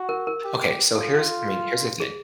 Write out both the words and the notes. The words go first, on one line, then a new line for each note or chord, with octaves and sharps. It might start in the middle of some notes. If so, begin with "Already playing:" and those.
Okay. So here's I mean, here's the thing.
Already playing: F#4
A#4
A#4
G4
F4 A4
G#4